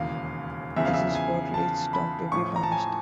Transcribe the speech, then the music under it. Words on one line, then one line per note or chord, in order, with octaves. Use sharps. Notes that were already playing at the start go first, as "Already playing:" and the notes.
This is what leads Tom to be banished.
Already playing: E1 D#2 C#3 E3 F5
E2 C#3 F3 E5
F5
E5
G#5
A5
B5
A1 A2 F3 C#6
A#5
A5
G#5